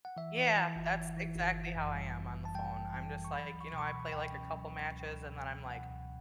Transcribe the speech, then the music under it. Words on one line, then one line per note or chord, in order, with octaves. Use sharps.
Yeah, that's exactly how I am on the phone, I'm just like, you know, I play, like, a couple matches and then I'm like,
F#5
E3 E5
E3
E3
G1
E3
E3
G1
G1
F#2
G3
G1
E3
A5
G3 G5
F#2
E3
E3
C#6
F#3 B5
C#2
C#6
B2 C#6
B5
B2
C#2 G5
C#4
F#3
C#2
C#2
C#2
B2
B2
B2 F#5
C#2